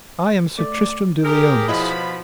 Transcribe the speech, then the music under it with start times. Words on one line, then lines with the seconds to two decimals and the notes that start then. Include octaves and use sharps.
I am Sir Tristram de Liones.
0.59 A3 D5
1.24 G4 G#4 A#4
1.68 B2 F3 E4 C#5 D#5 B5